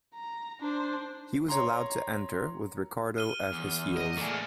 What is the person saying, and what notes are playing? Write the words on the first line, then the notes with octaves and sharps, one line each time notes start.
He was allowed to enter, with Ricardo at his heels.
A#5
D4 C5
C#5 A#5 C6
F6 D#7 G7
E2
D#5
A3 A#3 D4 G#4